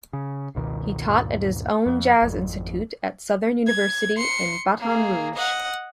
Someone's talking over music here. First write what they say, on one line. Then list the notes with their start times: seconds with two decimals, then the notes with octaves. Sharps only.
He taught at his own jazz institute at Southern University in Baton Rouge.
0.13 C#3
0.55 G1 C#2 B2 D#3
1.08 D2 G2 A#2 D#3
1.86 F2
2.22 G#1 F2
3.67 G#6
4.17 C6 C#7
4.80 A#3 G#4
5.34 D#5 F#5